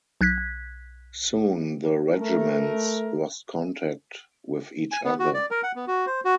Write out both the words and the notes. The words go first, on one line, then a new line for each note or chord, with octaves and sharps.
Soon the regiments lost contact with each other.
B1 F#6 G#6 B6
A3 A#4
G#5
B3
F#4
D5
A#4
F#5
B3
F#4
C5
F#4